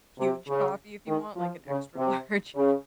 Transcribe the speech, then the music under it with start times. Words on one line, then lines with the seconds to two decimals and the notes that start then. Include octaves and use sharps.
huge coffee if you want, like an extra large,
0.19 C3
0.48 C#3
1.07 D#3
1.37 F3
1.67 C#3
1.96 C3
2.55 C#3